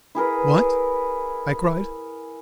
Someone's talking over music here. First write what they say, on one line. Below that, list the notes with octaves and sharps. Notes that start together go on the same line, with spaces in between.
"What!" I cried.
E4 G#4 A#4 B4